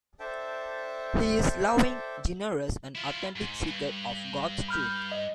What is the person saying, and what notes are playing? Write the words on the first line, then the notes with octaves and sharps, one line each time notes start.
He is a loving, generous, and authentic seeker of God's truth.
D4 A4 C5 E5 G5 A5
E4 F4
G#2
G2
B5 F6 G6
D#5